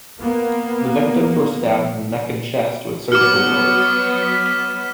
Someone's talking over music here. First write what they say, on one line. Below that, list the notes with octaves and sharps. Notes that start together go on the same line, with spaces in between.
The victims were stabbed in the neck and chest with surgical blades.
A#3 B3
F#3 B3 F#4 D6 F6
B6